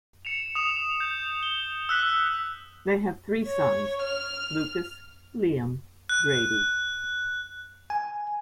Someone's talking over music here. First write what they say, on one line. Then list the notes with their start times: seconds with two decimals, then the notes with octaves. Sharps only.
They have three sons: Lucas, Liam, Grady.
0.25 C#7 E7 F7
0.55 D#6 E7 F7
1.00 G6
1.43 G7
1.89 E6 F#6 B6
3.45 C#5
4.02 F6
6.09 F#6
7.90 G#5